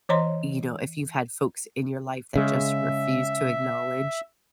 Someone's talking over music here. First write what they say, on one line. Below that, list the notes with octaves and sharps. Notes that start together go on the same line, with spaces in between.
you know, if you've had folks in your life that just refuse to acknowledge
E3 C5 C#5 D#5 A#5 C6
C#3 G#3 E5